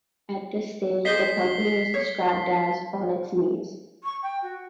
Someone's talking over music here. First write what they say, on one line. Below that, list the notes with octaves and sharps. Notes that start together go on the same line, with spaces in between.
At this stage, the company was described as: "on its knees".
G#4 C5 D#5 B6 C7 G7
C#5
C#6
G5
F#4